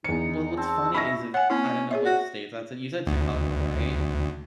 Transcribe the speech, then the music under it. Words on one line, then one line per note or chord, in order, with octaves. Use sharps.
W well what's funny is if I don't know what state that's in, you said Chicago, right?
E2 D#4 C#7
C4 A5
C#4 D#4 E5 B5 C#6 A#6
C#5 F#5 G#5
A#3 C4 C#4 E4
G#4 C#5 E5
F#4
D2